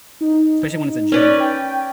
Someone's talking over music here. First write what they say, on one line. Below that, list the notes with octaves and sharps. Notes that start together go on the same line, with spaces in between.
especially when it's a joke.
D#4
C#4 B4 D5
G5